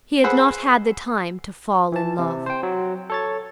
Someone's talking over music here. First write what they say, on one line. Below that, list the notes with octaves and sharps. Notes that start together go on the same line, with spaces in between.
He had not had the time to fall in love.
G#4 B4 C5 F#5 E6
E3 A5
C3
C5 G5
F#3
A4 C#5 A6